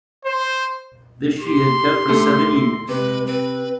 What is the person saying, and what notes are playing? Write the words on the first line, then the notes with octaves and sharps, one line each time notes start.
This she had kept for seven years.
C5
G4 C6
D3 A3
C3 G#3 B4
C4 B4